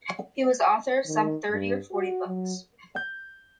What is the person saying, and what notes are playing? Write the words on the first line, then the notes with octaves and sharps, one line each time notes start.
He was the author of some thirty or forty books.
D#3
G2
F#4
F#3
G6